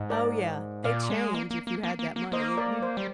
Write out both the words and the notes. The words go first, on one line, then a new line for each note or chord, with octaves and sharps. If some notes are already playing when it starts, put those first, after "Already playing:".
Oh yeah. They change if you had that money. It you
Already playing: G#2
A#4 D5
A#2 D5 F5
G#3
A#3
A#3
A#3
A#3
A#3
A#3
A#3 C5 D#5
A#4 D5
C5
G3